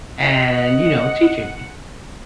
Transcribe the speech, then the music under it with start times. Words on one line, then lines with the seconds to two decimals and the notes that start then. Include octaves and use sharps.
and, you know, teaching me.
0.21 D#5 F#5